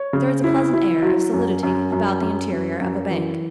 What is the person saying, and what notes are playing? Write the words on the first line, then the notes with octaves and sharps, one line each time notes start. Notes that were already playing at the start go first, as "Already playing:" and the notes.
There is a pleasant air of solidity about the interior of a bank.
Already playing: C#5
C#3
E4
E4
F#3
F#2
F#2
F#2
F#2
F#2
F#2
E3